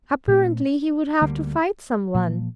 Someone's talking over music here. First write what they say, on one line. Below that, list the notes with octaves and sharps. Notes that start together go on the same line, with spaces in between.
Apparently, he would have to fight someone.
A#2 A3 C4
D2 D3 G3 A#3
A#2 F3 A#3